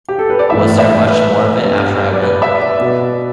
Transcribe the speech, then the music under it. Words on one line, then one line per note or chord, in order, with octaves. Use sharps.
Was there much more of it after I went?
G4
A4
B4
D5
A2 E3 B3 E5
E5
B4
G2 G3 B3
D5
B4
E5
D5
B2 B3